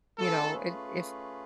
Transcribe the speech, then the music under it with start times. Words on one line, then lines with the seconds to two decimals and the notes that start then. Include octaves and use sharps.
you know, if if
0.19 A3 C#4 F4 G#4 A4 B4